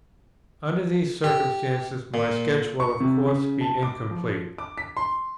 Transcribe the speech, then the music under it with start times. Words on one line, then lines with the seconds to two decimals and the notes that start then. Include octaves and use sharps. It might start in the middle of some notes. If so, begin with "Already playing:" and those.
Under these circumstances my sketch will of course be incomplete.
1.24 G4
2.14 A#2
2.80 C#6
3.00 C3
3.26 C#3
3.61 A5
3.83 D6
4.11 F3
4.58 D6
4.78 B6
4.97 C6